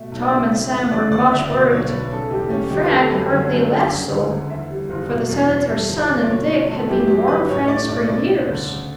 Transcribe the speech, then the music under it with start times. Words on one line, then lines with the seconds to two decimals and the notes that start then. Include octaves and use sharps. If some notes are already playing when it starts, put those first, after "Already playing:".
Tom and Sam were much worried and Frank hardly less so, for the senator's son and Dick had been warm friends for years.
Already playing: B2 A3 E5
0.12 B1
0.22 D5
0.31 C#3 E5
0.52 A3 E5
0.72 E2 E5
0.92 C#3 D5
1.11 D2 D5
1.31 D2 E5
1.51 B2 D5
1.71 B1 C#5
1.92 B1 B4
2.10 C#3 A4
2.30 E2 G4
2.50 E2 C#4
2.70 D3 G4
2.85 B4
2.90 A3 A4
3.10 F#2 B4
3.30 D3
3.51 F#2
3.70 F#2
3.90 C#3
4.10 D2
4.30 D2
4.50 E2 E5
4.70 G3
4.90 F#1
5.10 B2
5.29 E2
5.49 E2
5.69 G2 E5
5.89 G1
5.99 D5
6.08 G1
6.21 D5
6.28 B2 C#5
6.49 A3
6.69 E2 A4
6.88 F#2 G4
7.08 F#3 G4
7.28 G1 B4
7.49 A2 C#5
7.68 A3 D5
7.89 B1 D5
8.08 C#3 D5
8.28 A3
8.48 D2
8.68 C#3